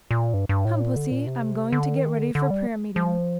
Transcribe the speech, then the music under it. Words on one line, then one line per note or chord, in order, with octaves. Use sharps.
Come, pussy, I'm going to get ready for prayer meeting.
A#2
G2
G2
A2
A#2
D3
A#2
C3
D3
D#3
D3
D3
G3
F3